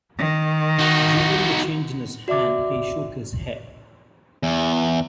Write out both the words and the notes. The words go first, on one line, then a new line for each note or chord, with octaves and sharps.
Jingling the change in his hand he shook his head.
D#3
D#4 F#4
F#4 D5 E5 D6
E2